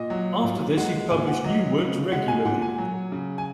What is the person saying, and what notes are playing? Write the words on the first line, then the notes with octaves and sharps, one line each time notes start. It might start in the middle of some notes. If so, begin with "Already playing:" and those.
After this he published new works regularly.
Already playing: A#2 D#5
F#3
A#2
G#3 F#5
A#2 G#5
F#5
F#3 D#5
C#3
G#3 F#5
G#5
A#2 F#5
G#5
F#3
C#3
G#5